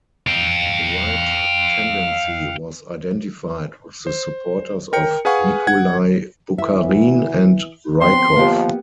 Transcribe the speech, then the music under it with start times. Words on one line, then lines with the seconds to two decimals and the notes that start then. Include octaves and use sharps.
The right tendency was identified with the supporters of Nikolai Bukharin and Rykov.
0.27 F5 G5
4.07 C5
4.93 A#4 G5 C#7
5.25 G#4 B4 F5 F#5 G#5 C#6
5.67 F#5 G#6
6.58 E3 E5
8.01 F3 B3 C4 C6
8.36 F3 A#3 B3 G4